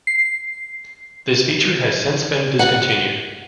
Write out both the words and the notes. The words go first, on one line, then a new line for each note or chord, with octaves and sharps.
This feature has since been discontinued.
C7
F#5